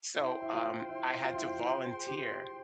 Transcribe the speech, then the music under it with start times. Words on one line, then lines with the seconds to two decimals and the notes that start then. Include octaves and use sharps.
so, um, I had to volunteer
0.18 E4 C5 G5 C6
0.42 E4
0.53 F4
0.89 E4
1.24 F4
1.35 E4
1.46 F4
1.60 F4
1.94 G#4
2.07 G4
2.31 G4